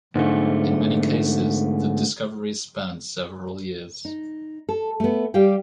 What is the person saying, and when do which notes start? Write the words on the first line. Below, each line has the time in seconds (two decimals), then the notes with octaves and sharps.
In many cases, the discoveries spanned several years.
0.15 G#2 D3 A3
4.05 D#4
4.69 A4
5.00 A3 B3
5.34 G3 G4 F5 G5